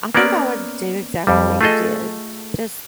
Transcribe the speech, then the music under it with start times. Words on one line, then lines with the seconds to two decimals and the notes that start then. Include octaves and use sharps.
I think I would do exactly what you did. Just
0.15 A#3 B3 C#4 A#4 D5
1.27 F2 G3
1.61 A3 F4 G#4 A4 D#5